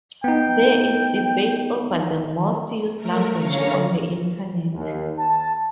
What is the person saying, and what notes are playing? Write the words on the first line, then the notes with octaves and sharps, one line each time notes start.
There is debate over the most-used languages on the Internet.
B3 D#4 G5
A3 A#4
D3 C#4 C#5 F5 A#5 C#7
D#2
A5